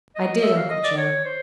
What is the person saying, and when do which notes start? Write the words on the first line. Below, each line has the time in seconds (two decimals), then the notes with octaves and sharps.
"I did, Uncle Joe."
0.15 D#5
0.43 E5
0.57 F5
0.70 D#5
0.84 D5
0.97 C#5
1.25 C5